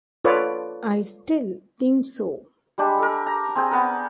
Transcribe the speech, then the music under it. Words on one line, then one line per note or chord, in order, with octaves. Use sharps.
I still think so.
F4 A4 B4 C#5 D5
G3 G#3 D4 G4
A4 A#4
A#5
C4 G#4 G5
B3 A#4